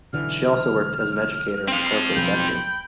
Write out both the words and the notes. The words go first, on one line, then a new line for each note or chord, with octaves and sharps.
She also worked as an educator in the corporate sector.
B1 D3 E3 F6
C4 F5
B1 F2 G5 B5